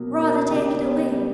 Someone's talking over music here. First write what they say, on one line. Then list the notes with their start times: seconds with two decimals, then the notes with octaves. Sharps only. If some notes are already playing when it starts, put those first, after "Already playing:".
Rather take it away!
Already playing: B2 F#3 A#3
0.21 A#3
0.50 C#3 G4
0.81 B3
1.12 G3